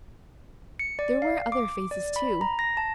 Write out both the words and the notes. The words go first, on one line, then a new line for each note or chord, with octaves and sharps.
There were other phases, too.
C#7
D5
F5
D6
D5
B5
A#5
A#6
A5